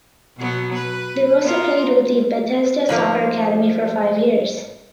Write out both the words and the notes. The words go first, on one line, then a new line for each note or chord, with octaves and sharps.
Di Rosa played with the Bethesda Soccer academy for five years.
B2 F#3 B3
B4
B3 F4 A#4
G#2 F3 A#3